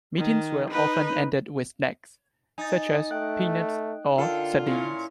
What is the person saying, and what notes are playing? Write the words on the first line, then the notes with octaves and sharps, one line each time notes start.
Meetings were often ended with snacks, such as peanuts or sardines.
D#3
D#4 B4
D#4 G#5 A6
A3 G5 F#6
D3 F4 A4 A#4 F5 G5
A#2 C#4 E4